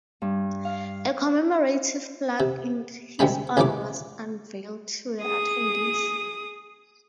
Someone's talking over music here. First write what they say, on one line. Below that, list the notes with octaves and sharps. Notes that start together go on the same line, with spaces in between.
A commemorative plaque in his honor was unveiled to the attendees.
G2
F5
C3
D2 C3 G3 G#3 B5
C#2 A2 C3 E3 A3 D6
G#4 D#6